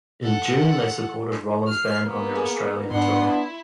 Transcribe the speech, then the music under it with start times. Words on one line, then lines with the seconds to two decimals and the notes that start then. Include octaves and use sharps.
In June they supported Rollins Band on their Australian tour.
0.23 A4 F#5
1.67 F6 C7
2.04 A#3 B3
2.35 G#4
2.91 G#2 B3 D4 F#5 C6
3.27 E4 B5